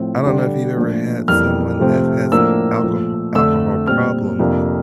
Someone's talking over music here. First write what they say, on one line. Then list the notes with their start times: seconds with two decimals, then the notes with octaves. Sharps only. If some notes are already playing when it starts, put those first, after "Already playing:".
I don't know if you've ever had someone that has an alcoho alcohol problem,
Already playing: A2 F3 C4
0.24 D3 G3 D4
0.76 A#2 F3 A3 D4
1.28 F2 E3 G3 A#3 F6
1.80 C3 F3 A3 C4
2.32 A2 F3 A#3 D4 E6
2.83 A#2 F3 A3
3.35 F2 D3 A3 D4 E6
3.87 A#2 G3 C4 F6
4.39 F2 C3 F3 A#3 D4